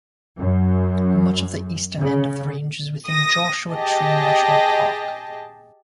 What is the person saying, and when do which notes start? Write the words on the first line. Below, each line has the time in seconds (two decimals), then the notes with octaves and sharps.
Much of the eastern end of the range is within Joshua Tree National Park.
0.38 F#2
1.99 C#3
3.08 D#6 A#6
3.71 G4 G#4 D#5 A5